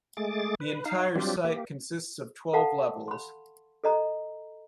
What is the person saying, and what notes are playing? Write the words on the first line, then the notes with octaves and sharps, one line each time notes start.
The entire site consists of twelve levels.
G#3 A3 G#4 D6 A6
B4
D#4 F5
F#3 G3 C4 D4 F4 G4
A#3 G4
A4 F5 F#5 A5 B5
B5 C6
A4 D#5 A#5